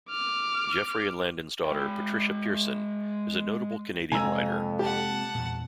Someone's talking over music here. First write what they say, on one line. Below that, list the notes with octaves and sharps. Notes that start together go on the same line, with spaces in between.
Geoffrey and Landon's daughter Patricia Pearson is a notable Canadian writer.
D6 F6
G#3 G5
F2 C3 G#3 A#3 G#5 A#5 E6
G4 F#5 A5
E2 A#2